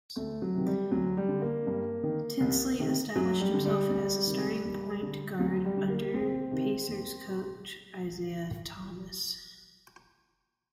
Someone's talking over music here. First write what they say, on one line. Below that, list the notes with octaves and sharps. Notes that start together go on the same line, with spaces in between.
Tinsley established himself as the starting point guard under Pacers coach Isiah Thomas.
D2 A3
F#3
C3 D#3
G3
D2 F#3
G3
D3
A#3
G2
D#3
C2
C3 D#3
F#2 F#3
G3
D3
G3
D2
C3 D#3
D#2
D3
D2 F#3
G3
D3
A#3
D2 C4
C3 D#3
D#2